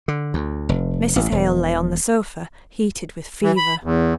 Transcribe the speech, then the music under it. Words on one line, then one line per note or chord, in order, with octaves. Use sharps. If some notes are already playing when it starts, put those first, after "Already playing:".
Mrs. Hale lay on the sofa, heated with fever.
D3
D2
F1
A1
E1
E3
B5
E2